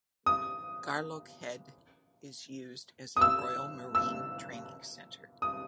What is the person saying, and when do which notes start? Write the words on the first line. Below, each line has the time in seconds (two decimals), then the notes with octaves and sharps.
Garelochhead is used as a Royal Marine training centre.
0.26 D#6
3.17 D#6
3.21 E6
3.95 E6
5.42 D#6